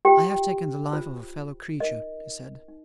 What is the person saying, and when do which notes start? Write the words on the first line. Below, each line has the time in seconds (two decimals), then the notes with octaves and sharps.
"I have taken the life of a fellow-creature," he said.
0.05 F4 G4 C5 G5
0.93 F4 C5
1.80 D#4 A#4 D#5
2.68 D#4